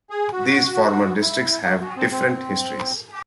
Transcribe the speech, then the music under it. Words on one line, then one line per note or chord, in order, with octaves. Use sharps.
These former districts have different histories.
G#4
F#4
E4
F#4
F#4
C4
C4